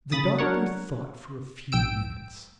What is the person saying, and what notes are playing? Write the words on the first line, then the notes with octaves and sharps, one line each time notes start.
The doctor thought for a few minutes.
C#3 B5 D#6 A6
F#3 D4 A#4 C#5 F#5
A#1 G5 E6 D7